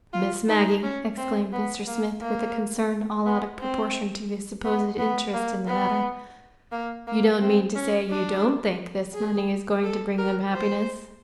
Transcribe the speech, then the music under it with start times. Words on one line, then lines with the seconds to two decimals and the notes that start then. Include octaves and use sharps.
"Miss Maggie," exclaimed Mr. Smith, with a concern all out of proportion to his supposed interest in the matter, "you don't mean to say you DON'T think this money is going to bring them happiness!"
0.13 F4
0.48 D#4
0.83 C#4
1.18 C4
1.53 B3
1.88 A#3
2.21 A#3
3.26 B3
3.61 C4
4.65 B3
4.99 B3
5.34 A#3
5.67 B3
6.72 A#3
7.07 A#3
7.41 C4
7.76 C#4
8.10 D4
9.14 G#4
9.83 A4
10.18 A#4
10.52 C5